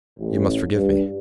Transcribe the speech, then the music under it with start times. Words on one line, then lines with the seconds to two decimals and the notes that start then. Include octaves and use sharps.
You must forgive me.
0.19 A1
0.75 G2